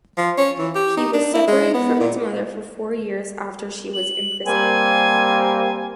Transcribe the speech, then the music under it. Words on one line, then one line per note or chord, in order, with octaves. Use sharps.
He was separated from his mother for four years after she was imprisoned.
F3
C#4
E3
G4
D#4
D4
E4
G#3
B3
A#2
F#7
G3 A#3 C4 G#5